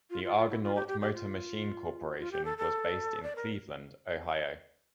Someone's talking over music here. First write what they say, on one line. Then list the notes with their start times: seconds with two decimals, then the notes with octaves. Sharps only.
The Argonaut Motor Machine Corporation was based in Cleveland, Ohio.
0.10 F4
0.24 F4
0.36 F4
0.50 E4
0.62 F4
0.75 G4
0.88 G4
1.01 G4
1.14 F4
2.19 F4
2.32 G4
2.45 A4
2.58 A4
3.23 D5
3.36 A#4